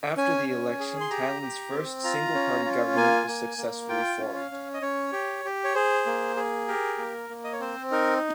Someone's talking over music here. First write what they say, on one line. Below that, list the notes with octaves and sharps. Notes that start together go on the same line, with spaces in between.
After the election, Thailand's first single party government was successfully formed.
C#4 G#5
C#4
G#4
C6
G4 A#5
G4
C4
F4 A#5
C#4
F4
A#3 G#5
A#3
A#3
F4 G5
C#4
F5
C#4
D#5
C#4 C#5
G4
G4
C#5
G#4 C5
A#3
G#4
G4 A#4
A#3
A#3
D#5
C#5
C4 C5
D#4 A#4